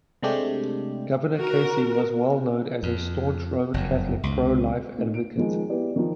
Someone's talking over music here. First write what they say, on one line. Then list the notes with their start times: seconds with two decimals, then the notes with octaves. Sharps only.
Governor Casey was well known as a staunch Roman Catholic pro-life advocate.
0.23 C3 G#3 A3 D4 G4
1.35 F#4 A#4
2.83 F2
3.74 F#1 F2
4.23 C#2
4.97 A2 D#4
5.14 D7
5.37 D#3 F3 G#3
5.69 B3 E4 G4 B4 D5
5.96 D#3 F3